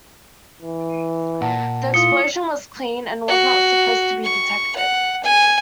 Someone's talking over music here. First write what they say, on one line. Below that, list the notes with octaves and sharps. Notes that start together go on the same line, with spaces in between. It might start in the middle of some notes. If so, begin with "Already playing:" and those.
The explosion was clean and was not supposed to be detected.
E3
A#2 F#5 A5
E4 F4 D#6 C#7 G7
F#4
C#6
F#5
G#5